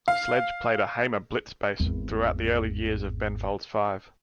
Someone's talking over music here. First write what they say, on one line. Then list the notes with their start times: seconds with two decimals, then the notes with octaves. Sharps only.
Sledge played a Hamer Blitz Bass throughout the early years of Ben Folds Five.
0.08 F5
1.80 G#1 E2